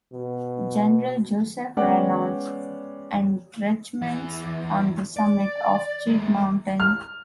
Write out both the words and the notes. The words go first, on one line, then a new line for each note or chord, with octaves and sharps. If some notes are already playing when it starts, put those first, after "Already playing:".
General Joseph Reynolds's entrenchments on the summit of Cheat Mountain.
B2
G#3 B3 C#4 D5 F#5 G5
E2 E3
D5
G#3 A#3
F6